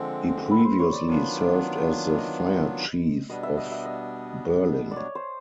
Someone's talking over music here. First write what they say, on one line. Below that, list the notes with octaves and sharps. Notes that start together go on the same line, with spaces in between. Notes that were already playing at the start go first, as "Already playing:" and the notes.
He previously served as the Fire Chief of Berlin.
Already playing: D3 F3 G#3 C4 A4
B4
C5
C#5
D5
D#3 F#3 B3 D4 F4
D#5
B2 G3 B3 D4 D#5
E5
D#5
E5
D#5
D5
C#5
C5